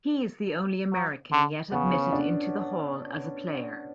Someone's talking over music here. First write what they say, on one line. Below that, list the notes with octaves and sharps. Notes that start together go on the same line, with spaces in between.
He is the only American yet admitted into the Hall as a player.
F#3
D3
C#3 B3
C#4
D4